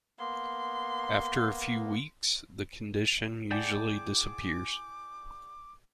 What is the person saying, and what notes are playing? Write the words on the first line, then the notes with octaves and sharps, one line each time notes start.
After a few weeks, the condition usually disappears.
A#3 B3 C6
E4 G#4 D5 F#5 G5 A5 D6